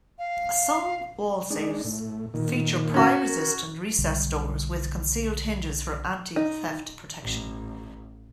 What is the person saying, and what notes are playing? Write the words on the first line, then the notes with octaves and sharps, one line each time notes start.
Some wall safes feature pry resistant recessed doors with concealed hinges for anti-theft protection.
F5
G#3 D4 D#4
A2
A#2 D#3
C#4 F#4
A#4
B1 D3 G3
D#4
A1